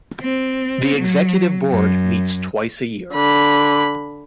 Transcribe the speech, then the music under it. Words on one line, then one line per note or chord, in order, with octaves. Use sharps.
The Executive Board meets twice a year.
C4
F#3
F#2
D3 B5